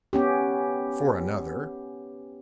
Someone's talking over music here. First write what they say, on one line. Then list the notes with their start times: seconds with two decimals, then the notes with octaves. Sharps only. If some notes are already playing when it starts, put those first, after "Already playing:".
"For another?"
0.13 B3 C#4 G4